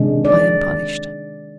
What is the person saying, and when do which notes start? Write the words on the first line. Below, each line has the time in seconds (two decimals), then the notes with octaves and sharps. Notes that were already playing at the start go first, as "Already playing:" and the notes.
I am punished.
Already playing: C3 D#3 G#3 D4
0.25 D5